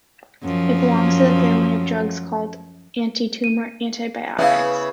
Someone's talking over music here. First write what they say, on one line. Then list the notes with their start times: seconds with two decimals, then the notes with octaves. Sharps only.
It belongs to the family of drugs called antitumor antibiotics.
0.43 F#2 F3
3.44 D#7
4.39 C#3 B3 E4 E5 F5